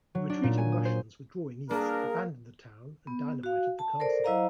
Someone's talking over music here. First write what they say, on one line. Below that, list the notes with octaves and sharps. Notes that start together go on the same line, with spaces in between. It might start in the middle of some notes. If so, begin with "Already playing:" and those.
The retreating Russians, withdrawing east, abandoned the town and dynamited the castle.
F#3
D4
A#2
G#5
D#6
C5
A#3 D4 G#4 A#4
B3
F#4 F5
A5
A4 A#4 C5 D5
F#3 E4 C5 D#5 F5 A#5